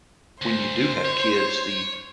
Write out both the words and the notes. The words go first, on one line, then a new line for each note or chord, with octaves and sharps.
when you do have kids, the
D2 C5
C#5